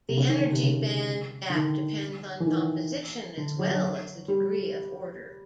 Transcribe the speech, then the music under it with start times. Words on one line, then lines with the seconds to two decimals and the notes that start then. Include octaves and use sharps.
The energy band gap depends on composition as well as the degree of order.
0.09 C3
0.17 C#3
0.29 D#3
0.41 D3
0.51 C3
0.63 C#3
1.50 D3
1.55 D#3
2.40 E3
2.46 D#3
3.37 D3
3.59 F#3
3.71 F#3
4.28 G3